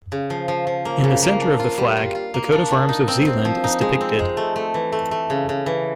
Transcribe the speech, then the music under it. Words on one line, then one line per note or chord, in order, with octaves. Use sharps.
In the centre of the flag, the coat of arms of Zeeland is depicted.
C#3
F3
F3
F3
A#3
C#3
A#3
D4
F4
G3
F4
F4
A#3
D4
D4
D#4
C4
C4
F3
D#4
G#3
C4
G#3
A3
A3
E3
A3
A3
C#3
C#3
E3